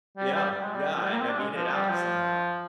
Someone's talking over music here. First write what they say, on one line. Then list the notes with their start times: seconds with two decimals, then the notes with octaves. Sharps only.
Yeah. Yeah, and I made it out, somehow.
0.17 G3
0.34 G3
0.51 G3
0.62 G#3
0.74 G3
0.94 F3
1.03 G3
1.12 A#3
1.21 C4
1.29 D4
1.38 G#3
1.55 F3
1.73 G3
1.90 F3